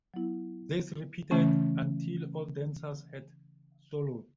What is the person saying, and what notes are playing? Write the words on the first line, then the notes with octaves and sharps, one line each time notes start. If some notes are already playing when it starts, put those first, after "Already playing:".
This repeated until all dancers had soloed.
F#3 B3 E4
C#3 E3 A3 C#4